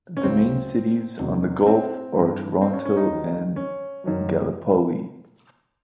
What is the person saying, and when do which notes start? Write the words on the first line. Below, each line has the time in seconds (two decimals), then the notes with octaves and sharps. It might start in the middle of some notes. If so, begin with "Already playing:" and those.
The main cities on the gulf are Taranto and Gallipoli.
0.17 C#4
0.23 C#2 C#3 F#3 C4
1.19 E2 C3 D#3 F#3
1.66 C4
2.13 G2 E3
2.61 C4
2.73 C#4
2.85 C#4
2.97 D#4
3.09 D#2 D#3 F#3
3.56 C#4
4.04 F#2 D#3 F#3